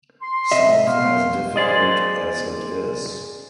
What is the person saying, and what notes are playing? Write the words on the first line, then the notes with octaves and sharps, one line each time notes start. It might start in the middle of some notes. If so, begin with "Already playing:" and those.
Sounds as difficult as it is.
C6
C3 D#5 E5
B2 F5 C6
G#4 C5 D5 D#5